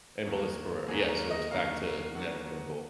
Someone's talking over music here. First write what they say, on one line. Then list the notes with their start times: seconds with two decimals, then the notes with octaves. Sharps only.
And Melissa Barrera. Yeah, so, it's back to Neve Campbell.
0.25 D#2 D3 F#3 A#3
0.88 D#2 D3 F#3 A#3 G#4
1.09 A#4
1.30 D#5
1.51 D#2 D3 F#3 A#3 F5
2.14 D#2 D3 F#3 A#3 F#5